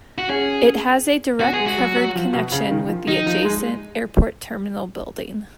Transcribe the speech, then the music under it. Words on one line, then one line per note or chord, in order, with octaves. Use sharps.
It has a direct covered connection with the adjacent airport terminal building.
F#4
C#4 G#4
B3 F#4
G#4
G#3
F#4
F#3
F#3
F3
B2
C#3
D#3
F3
D#3 D#4
F3
G#3